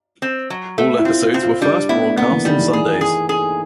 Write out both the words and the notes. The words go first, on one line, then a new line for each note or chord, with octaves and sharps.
All episodes were first broadcast on Sundays.
C4
F#3
A3
E4
C4 F4
F4
C4
F4
G3 D4
B3 E4
A3
A#3 B3
E3
D#3 G3
E3
G#4
G#4
G#4